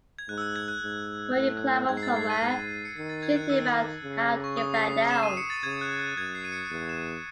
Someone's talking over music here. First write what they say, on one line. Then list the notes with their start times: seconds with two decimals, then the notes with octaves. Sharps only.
Before you climb up somewhere, you should think about how to get back down.
0.19 G#6
0.28 G#2 F#6
0.38 E6
0.42 F#6
0.56 G#6
0.68 F#6
0.82 G#2
1.35 A2
1.89 G#2 G#6
1.97 C7
2.03 A6
2.16 C7
2.30 D#7
2.42 G#2
2.85 C#7
2.96 D#3 C7
3.09 A6
3.23 G#6
3.36 F#6
3.49 D#3 E6
4.03 C#3
4.44 C#6
4.57 D#6
4.74 C7
5.11 E7
5.23 D#7
5.37 C#7
5.50 A6
5.63 C#3 G#6
5.81 F#6
6.00 F#6
6.17 F#2 G#6
6.35 C7
6.45 D#7
6.52 C#7
6.65 C#7
6.70 E2 D#7
6.89 E7
6.98 D#7